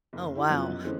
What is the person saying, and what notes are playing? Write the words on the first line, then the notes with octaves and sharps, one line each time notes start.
Oh, wow.
F#1
E4 G4
F#2 F3 F#3 B3 C#4 F#6
D#5
D3 E3 G#3 A3 C#4 C5